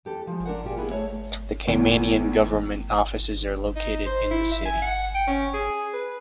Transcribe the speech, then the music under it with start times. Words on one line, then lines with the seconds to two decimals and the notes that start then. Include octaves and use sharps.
The Caymanian government offices are located in the city.
0.05 E2 G4 A4
0.27 F3 G#3
0.46 D4 A#4 F#5
0.64 A#2 F4 G4 G#4
0.77 A#3 B3 E4 G#4
0.90 A3 C#5 E5
1.67 E2 A2
3.76 D#4
4.06 C5
4.31 E4
4.51 E5
4.66 G#5
4.82 F#5
5.15 G5
5.27 C#4
5.54 G#4
5.94 B4